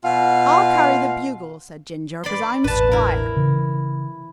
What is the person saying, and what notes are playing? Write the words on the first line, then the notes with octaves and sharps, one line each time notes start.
"I'll carry the bugle," said Ginger, "'cause I'm squire."
B2 F4 F5
D5 B5 C6
E1 A1 E2 B4 A5
E4 A#4
C#3 E3